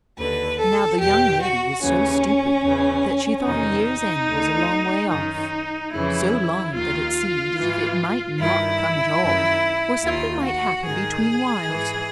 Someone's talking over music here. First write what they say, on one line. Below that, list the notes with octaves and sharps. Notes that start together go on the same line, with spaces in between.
Now the young lady was so stupid that she thought a year's end was a long way off--so long that it seemed as if it might not come at all, or something might happen between whiles.
D#2 D3 B4
A4
E2 B2 G4
F#4
D#2 C#3 E3 C#4
E2 C#3 E3
E2 C3 D#3 D#4
D2 D3
F#2 D#3 D#4
F2 C#3 E3 E4
D#2 D#3 F4
G#2 E3
G2 D#3 E4
F#2 D#3
D#2 D#3 F4
F#4
G#2 D#3 G#4
G#2 E3